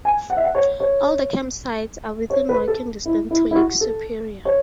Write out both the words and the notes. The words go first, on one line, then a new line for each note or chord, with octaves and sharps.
All the campsites are within walking distance to Lake Superior.
G#5
F#5
E5
F#5
C#5
C#5
C#5
B4
A4
E4
E4
E4
F#4
A4
C#5